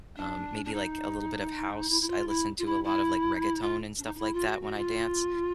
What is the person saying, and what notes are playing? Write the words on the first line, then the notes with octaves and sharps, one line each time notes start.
um, maybe, like, a little bit of house. I listen to a lot of, like, reggaeton and stuff like that when I dance.
D4
D4
D#4
E4
E4
F4
E4
F4
E4
E4
F4
D4
D#4
D#4
E4
F4
F#4
F#4
F4